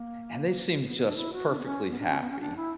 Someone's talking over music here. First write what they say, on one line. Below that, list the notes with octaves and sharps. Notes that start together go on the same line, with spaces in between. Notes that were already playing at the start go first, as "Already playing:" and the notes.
and they seemed just perfectly happy
Already playing: A#3
B3
B3
D4
E4
F#4
D4
B3
C#4
B3
D4
C#4
B3
C#4
D4
E4